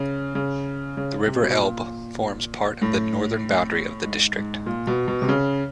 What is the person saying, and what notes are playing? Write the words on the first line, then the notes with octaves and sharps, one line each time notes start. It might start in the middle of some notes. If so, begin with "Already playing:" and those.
The river Elbe forms part of the northern boundary of the district.
Already playing: C#3
C#3
C#3
C3
B2
A#2
A2
G#2
G#2
A#2
B2
B2
C3
C#3